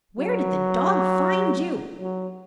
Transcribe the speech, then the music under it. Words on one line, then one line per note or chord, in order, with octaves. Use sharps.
"Where did the dog find you?"
F#3
F#3